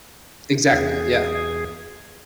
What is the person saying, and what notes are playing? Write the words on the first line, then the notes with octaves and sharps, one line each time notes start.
Exactly, yeah.
E2 G#4